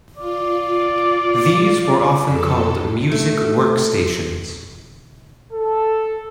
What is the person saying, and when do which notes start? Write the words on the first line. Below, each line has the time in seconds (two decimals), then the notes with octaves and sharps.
These were often called "Music Workstations".
0.17 F4 D5
2.25 F2 A4
3.12 A3
5.52 A4